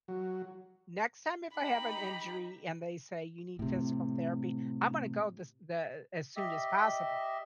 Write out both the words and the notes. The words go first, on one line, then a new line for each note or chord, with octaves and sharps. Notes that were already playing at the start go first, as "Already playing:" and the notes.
next time if I have an injury and they say you need physical therapy, I'm gonna go this the as soon as possible.
F#3
D#4 G4 A#5 B5
A2 C3
G4 D#5 E5